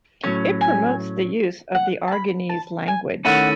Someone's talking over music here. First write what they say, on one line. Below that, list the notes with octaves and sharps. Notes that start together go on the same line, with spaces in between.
It promotes the use of the Aragonese language.
A2 F#3 C#4 C#5
G#5
F#5
A5
B5
A5
G#5
D#3 A3 C#4 E4 F#5